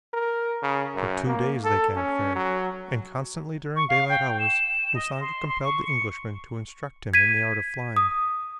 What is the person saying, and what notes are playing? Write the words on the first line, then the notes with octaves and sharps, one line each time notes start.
For two days they camped there, and constantly during daylight hours Usanga compelled the Englishman to instruct him in the art of flying.
A#4
C#3
F#2
A#3
A4
C#4
F#3
C#6
F5
G5
E7
D#5
C6
C6
C#6
C#7
G#6 B6 D#7
D#6